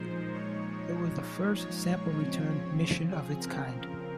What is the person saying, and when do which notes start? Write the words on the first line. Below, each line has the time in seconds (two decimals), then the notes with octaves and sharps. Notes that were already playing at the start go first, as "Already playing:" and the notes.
It was the first sample return mission of its kind.
Already playing: A#2 F3 G#3 D#4 C5
0.33 C#5
1.56 C#5
1.87 C#5
2.18 C#3 F3 C4 C#5
3.10 G#4
3.41 A#4